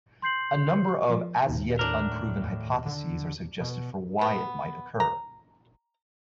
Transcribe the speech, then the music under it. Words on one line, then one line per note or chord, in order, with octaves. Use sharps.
A number of, as yet unproven, hypotheses are suggested for why it might occur.
C6 G6 C7 F#7
F3
D#2 D#3
A2 D4 A#4
D3
B2
B3
A#5